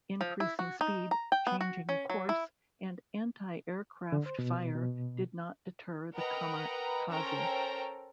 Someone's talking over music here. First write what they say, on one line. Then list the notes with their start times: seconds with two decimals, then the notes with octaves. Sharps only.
Increasing speed, changing course, and antiaircraft fire did not deter the "kamikaze".
0.21 F3
0.40 E4
0.59 F#4
0.81 D#4
1.11 A#5
1.32 G5
1.47 B3
1.61 F#4
1.89 C#4
2.10 F#3
2.29 E4
4.12 D3
4.26 C5
4.39 B2
4.75 B2
6.15 A#4 B4 D#5 F#5 G5 A#5
7.10 C#4 A4 A#4 C5 G5 A#5